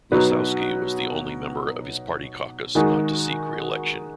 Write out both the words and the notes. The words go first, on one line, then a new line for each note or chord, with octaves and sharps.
Lisowsky was the only member of his party caucus not to seek re-election.
B2 F#3 D#4 B4
D#3 G#3 D#4 F#4